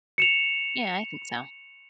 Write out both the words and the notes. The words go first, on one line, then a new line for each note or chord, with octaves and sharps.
Yeah, I think so.
C#7 E7 F7